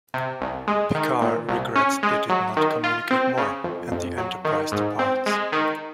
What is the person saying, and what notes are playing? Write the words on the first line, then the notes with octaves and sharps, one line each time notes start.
Picard regrets they did not communicate more, and the "Enterprise" departs.
C3
C2
G#3
D#3
A#2
C2
C#4
G#3
F#3
D#3
F4
C4
C#3
F2
F2
F#3
D#3
G#2
C4
G#3
D#3